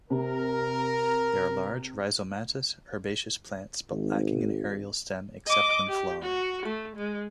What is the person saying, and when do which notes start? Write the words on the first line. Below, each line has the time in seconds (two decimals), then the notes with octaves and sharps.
They are large rhizomatous herbaceous plants but lacking an aerial stem, except when flowering.
0.10 C3 A#4
3.89 G#1
5.47 D#5 D6
5.88 G4
6.23 F#4
6.66 A3
6.96 G#3